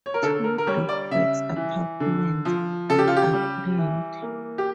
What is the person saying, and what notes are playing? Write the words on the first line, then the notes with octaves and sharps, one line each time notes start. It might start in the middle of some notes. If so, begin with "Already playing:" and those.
Two duplex apartments are planned.
C#5
A#4
D3 A4
A#4
A#4
G3 C#5
D5
C#3 E5
E3
D3
F3
C#3 A4
G4
F4
G4
G3
E3
A#3
G4